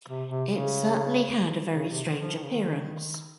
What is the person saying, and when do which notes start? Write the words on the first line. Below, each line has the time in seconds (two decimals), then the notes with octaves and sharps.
It certainly had a very strange appearance.
0.08 C3
0.29 C3
0.49 C#3
1.74 C#3
1.89 C3
2.05 D#3
2.20 F3
2.36 D#3
2.43 C#3
2.50 D#3